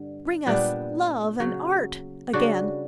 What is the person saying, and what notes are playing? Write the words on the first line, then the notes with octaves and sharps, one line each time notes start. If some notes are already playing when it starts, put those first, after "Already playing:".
Bring us love and art again!
Already playing: G2 D3
A#2 G3 B3 D4
C#3 F#3
C#3 G3 D4 F#4